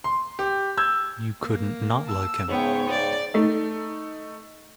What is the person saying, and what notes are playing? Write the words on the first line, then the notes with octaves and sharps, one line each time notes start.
You couldn't not like him.
C6
G4
E6 G6 G#6
A#3
A5 E6
G#2 C#3 B3 C#5 G5
D5
A3 D#4